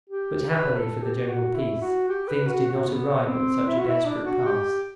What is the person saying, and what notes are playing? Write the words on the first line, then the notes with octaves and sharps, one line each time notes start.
But happily for the general peace, things did not arrive at such a desperate pass.
G4
B4
A4
G4
F#4
E4
F#4
G4
B4
F#4
F#4
B3
C4
E4
F#4
E4
D4
F#4
G4